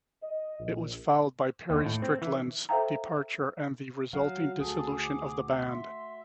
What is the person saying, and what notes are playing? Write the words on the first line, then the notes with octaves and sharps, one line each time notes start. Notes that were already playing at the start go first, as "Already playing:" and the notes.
It was followed by Perry Strickland's departure and the resulting dissolution of the band.
D#5
A#1
D#2
A2
C4
E3
A4 C5 E5 F5 G5 A#5
F#3 F#4 F5
D2 G#4 A4
D6
E5 C6